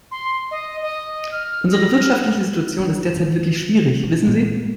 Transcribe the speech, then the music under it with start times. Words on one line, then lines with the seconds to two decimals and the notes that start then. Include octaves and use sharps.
Unsere wirtschaftliche Situation ist derzeit wirklich schwierig, wissen Sie.
0.11 C6
0.51 D#5
0.82 D#5
1.32 F6
1.73 A#6
2.00 F6
2.79 D4
3.16 E3
4.03 D4
4.26 A#2 G#3